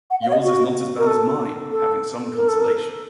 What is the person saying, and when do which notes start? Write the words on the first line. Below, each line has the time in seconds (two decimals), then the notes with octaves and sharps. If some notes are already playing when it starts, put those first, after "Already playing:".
Yours is not as bad as mine, having some consolation.
0.10 F#5
0.22 F5
0.28 C#5
0.32 D#5
0.43 F#4
0.98 A#4
1.07 A4
1.71 A4
2.36 A#4
2.48 A4
2.60 A#4